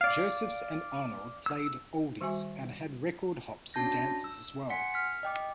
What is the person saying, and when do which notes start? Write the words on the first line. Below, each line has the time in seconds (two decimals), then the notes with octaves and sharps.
Josephs and Arnold played "oldies" and had record hops and dances as well.
0.01 D5 F5
1.46 E6
2.21 D#3 G3 F#4 E5 G#5 C#6
3.74 C#4 D4 F#4 A5 G6 A#6
4.24 E6
4.70 F#5 G#5 C6 B6 C#7
4.94 F6 B6
5.23 D#5 G5 D6